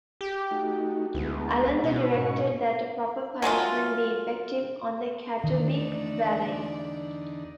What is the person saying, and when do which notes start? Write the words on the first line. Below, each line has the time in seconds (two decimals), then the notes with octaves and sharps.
Allen the directed that a proper punishment be effected on the Catubig Valley.
0.21 G4
0.51 A3 D#4 F#4
1.15 D2 G#3 B3 E4
1.84 B2
2.15 G#2 C#4 C#6
3.42 F#3 G#3 A3 F4
5.44 E2 D3 D#3 A3 D#4 D5